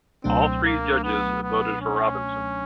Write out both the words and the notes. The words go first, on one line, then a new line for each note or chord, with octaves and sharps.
All three judges voted for Robinson.
C#2 B2 F#3 A3 C4 D4
A#3
B3
B3
C#4